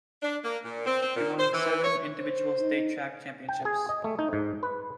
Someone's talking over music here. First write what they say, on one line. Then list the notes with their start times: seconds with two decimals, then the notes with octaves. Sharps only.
He won seven individual state track championships.
0.22 D4
0.45 A#3
0.65 A#2
0.86 C4
1.03 C4
1.16 A#2
1.39 C5
1.53 E3
1.84 C#5
2.19 C5
2.61 D#4
3.48 G5
3.65 G#4
3.89 D#5
4.04 A3
4.19 D#4
4.33 G#2
4.63 B4